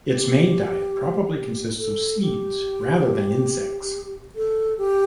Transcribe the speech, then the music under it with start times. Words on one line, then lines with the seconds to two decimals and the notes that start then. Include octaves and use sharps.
Its main diet probably consisted of seeds rather than insects.
0.07 G4
1.79 A4
2.21 G4
4.35 A4
4.78 G4